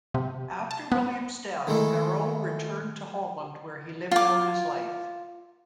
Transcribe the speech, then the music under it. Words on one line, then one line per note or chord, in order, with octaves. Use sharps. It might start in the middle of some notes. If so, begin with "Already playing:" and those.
After William's death Marot returned to Holland where he lived out his life.
C3
A5
B3
D#3 G#3 A3 D#4 E4
F4 D6